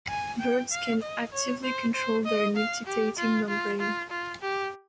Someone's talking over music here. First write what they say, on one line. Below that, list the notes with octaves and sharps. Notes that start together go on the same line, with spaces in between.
Birds can actively control their nictitating membrane.
G#5
G5
F5
D#5
C#5
C5
C5
D#5
F5
G4
F4
F4
F4
F4
G4